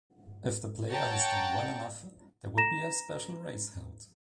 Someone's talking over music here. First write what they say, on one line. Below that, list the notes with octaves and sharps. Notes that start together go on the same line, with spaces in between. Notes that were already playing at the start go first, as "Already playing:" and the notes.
If the player has done well enough, there will be a special race held.
C#5 F#5 G5 A5 A#5
A#5 A#6 E7